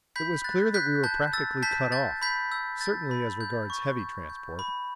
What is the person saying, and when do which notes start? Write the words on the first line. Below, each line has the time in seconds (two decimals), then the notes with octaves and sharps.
It was clear that we were practically cut off, certainly as regards heavy transport.
0.16 B5 G6 B6
0.44 F#6 A6
0.74 F#6 G6 B6
1.03 A5 G6
1.33 E6 A6
1.62 A5 G6 B6
1.92 G6 A6
2.22 B5 G6 B6
2.51 E6 G6
2.81 G6 A6
3.11 B5
3.41 G6
3.70 C#6
3.99 G6
4.30 G6
4.59 B5